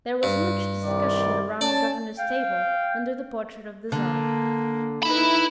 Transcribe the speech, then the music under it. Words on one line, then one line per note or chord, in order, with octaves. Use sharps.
There was much discussion around the governor's table under the portrait of the Tsar.
G2
C2 D#3 D5
C#4 C#5 D5 A5
F5 G5
D3 A#3
D#4 E4 B4 B5